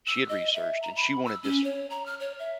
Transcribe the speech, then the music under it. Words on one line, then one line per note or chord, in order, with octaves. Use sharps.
she had researched, and she wanted this
E6
D#5
E5
A#5
B5
E6
C#4
C#5
A#5
F6
C#5
E5